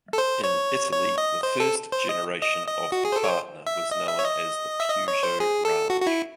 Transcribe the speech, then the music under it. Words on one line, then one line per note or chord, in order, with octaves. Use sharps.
In Italy, the first generation of the Partner was known as the Peugeot Ranch.
A4
C5
C#5
C#5
D#5
C5
A4
C5
D#5
D#5
D#5
F#4
G#4
C5
A4
C#5
C5
E5
D#5
E5
C#5
D#5
E5
D#5
C#5
C5
G#4
A4
F#4
F#4
E4